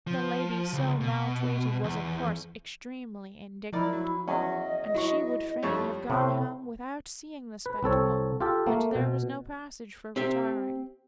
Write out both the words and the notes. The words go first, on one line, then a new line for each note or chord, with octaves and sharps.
The lady so maltreated was of course extremely indignant, and she would fain have gone home without seeing the spectacle, but there was no passage for retiring.
F3
C#2
B2
E2
F3 D#4 E4 A#4 D5
F#3
E2 F#3 C#4 D#5
F#3 E4 C#6
F2 G3 A3 C#5
A2 C3 C4
B4
C2 C4 A4 C#5
F4 G4 A4
A3 A#3
B2
C4 G4 E5